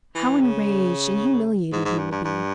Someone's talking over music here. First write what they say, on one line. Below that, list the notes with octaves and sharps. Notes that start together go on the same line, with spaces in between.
How enraged and humiliated he will be!
E3
C#3
G#2
G#2
G2
G2
G2